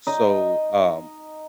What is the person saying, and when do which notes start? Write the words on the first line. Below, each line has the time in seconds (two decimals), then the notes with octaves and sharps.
so, um
0.07 D#4 D#5